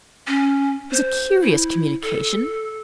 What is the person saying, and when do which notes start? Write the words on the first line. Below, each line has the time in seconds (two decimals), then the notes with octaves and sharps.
It was a curious communication.
0.28 C#4
0.91 C5
1.42 E4
2.02 A4